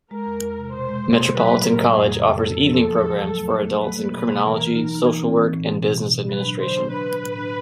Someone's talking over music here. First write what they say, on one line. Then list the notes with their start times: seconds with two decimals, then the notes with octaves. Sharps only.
Metropolitan College offers evening programs for adults in Criminology, Social Work and Business Administration.
0.11 G#3 A#4
0.26 E2
0.42 E2
0.58 C3
0.73 B2 C5
0.89 G#3
1.04 B2
1.19 B2
1.35 F#3 B4
1.50 A2
1.66 A2 A#4
1.81 A3
1.96 F2 G#4
2.13 C#3
2.28 F2 A4
2.43 F2
2.59 F3
2.74 E2
2.89 F3
3.05 F3
3.20 F#3
3.37 A3
3.52 A3
3.68 A3
3.83 F#3 B4
3.98 A#3
4.13 B2 B4
4.30 A#3
4.45 E3 A#4
4.60 E3
4.75 D#4
4.91 D#4
5.06 E3
5.22 C4
5.38 E3
5.53 A2
5.68 B2
5.84 B2
5.99 B2
6.14 B2
6.29 F#3 B4
6.45 D4
6.61 D3 C5
6.76 D4
6.92 D4 B4
7.07 D4
7.23 A2
7.38 D4